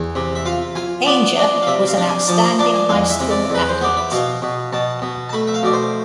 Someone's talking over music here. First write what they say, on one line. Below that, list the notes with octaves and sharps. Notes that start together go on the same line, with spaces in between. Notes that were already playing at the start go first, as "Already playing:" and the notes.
Ainge was an outstanding high school athlete.
Already playing: E2
C3
E5
F4 F5
F4 G#5
B3 D5
D4
F5
C3 E5
F5
D4
G#5
F3 A5
B5
D4 A5
G#5
E2 F5
E5
C3
D5
E2 B4
C5
B3 D5
E5
B2 F5
B2
B2 A5
B2
A5
A3 B5
E5
F5
B2 D5
C5